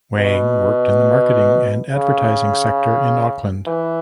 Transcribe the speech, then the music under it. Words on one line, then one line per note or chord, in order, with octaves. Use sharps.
Wang worked in the marketing and advertising sector in Auckland.
B2
C#3
E3